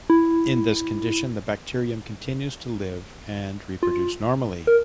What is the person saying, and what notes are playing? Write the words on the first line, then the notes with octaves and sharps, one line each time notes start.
In this condition the bacterium continues to live and reproduce normally.
E4
F4
A#4